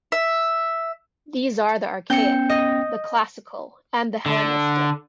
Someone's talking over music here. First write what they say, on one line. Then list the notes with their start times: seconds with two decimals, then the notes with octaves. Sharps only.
These are the Archaic, the Classical and the Hellenistic.
0.12 E5
2.10 B3 C#4 G5 G6 C#7
2.49 D#5
4.26 D3